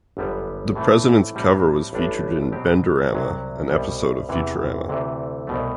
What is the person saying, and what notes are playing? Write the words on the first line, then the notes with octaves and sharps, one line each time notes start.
The Presidents' cover was featured in "Benderama," an episode of "Futurama".
G1 F#2 D3 G3 B3
A2 E3 A3 C4
A2 G3 C4 F#4
A1 A2 G3 D4
B2 F#3 C4 G4
C2 C3 F#3
C2 B2 G3
E2 C3 E3
D2 C3 E3 A3
C2 B2 A3